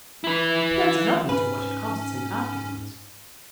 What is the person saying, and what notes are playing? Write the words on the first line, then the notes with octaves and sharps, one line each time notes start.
But that's nothing to what it costs him afterwards.
E4 B4
G#2 C#4 B4